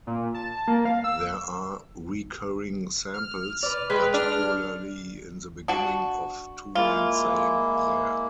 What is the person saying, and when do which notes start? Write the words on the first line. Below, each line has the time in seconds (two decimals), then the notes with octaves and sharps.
There are recurring samples, particularly in the beginning, of two men saying yeah!
0.07 A#2
0.34 A5
0.68 A#3
0.85 F5
1.04 E6
3.14 F6
3.63 B4 D5
3.90 G#3 B4 G5
4.14 D4 F6
5.68 D4 F#4
6.75 G#3 A#3 E4 F4